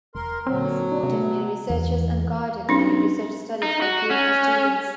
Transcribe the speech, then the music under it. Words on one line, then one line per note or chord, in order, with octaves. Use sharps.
He supported many researchers and guided many research studies by PhD students.
E1 A#4 C6
A#2 D3 F#3 C4
C3 A3 B3
E2
B1 C#4 D4
D#4
F#4
C#4